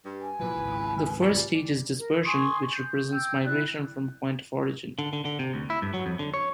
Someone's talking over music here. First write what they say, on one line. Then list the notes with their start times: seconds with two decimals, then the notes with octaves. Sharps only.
The first stage is Dispersion, which represents migration from a point of origin.
0.05 G2
0.21 G#5
0.39 A#2 F3 F#3 E4 B4
0.55 G#1 C#2
1.20 A#2 G3 D5
1.99 A#4
2.24 G#5 C6 C#6 D#6
2.73 G6
3.11 G5 E6 G6
3.45 E4 D5 F#6
4.99 D3
5.13 D3
5.25 D3
5.39 C3
5.54 D2
5.70 E4
5.82 G2
5.94 F#3
6.06 F2
6.19 D3
6.34 C#5